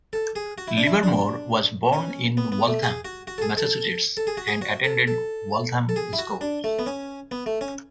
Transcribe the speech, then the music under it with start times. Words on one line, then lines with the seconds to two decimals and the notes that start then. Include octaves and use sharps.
Livermore was born in Waltham, Massachusetts, and attended Waltham schools.
0.13 A4
0.36 G#4
0.58 F#4
0.68 E4
0.77 D4
0.86 E4
1.03 D4
1.93 C#4
2.37 B3
2.52 B3
2.67 A3
2.82 G#4
3.05 F#4
3.27 F#4
3.38 A4
3.42 G#4
3.57 A4
4.17 A4
4.27 G#4
4.37 F#4
4.47 G#4
4.61 F#4
4.84 A4
5.07 A4
5.89 A4
5.96 G#4
6.13 E4
6.19 F#4
6.41 D4
6.64 A3
6.79 B3
6.86 C#4
7.31 B3
7.46 A3
7.61 C#4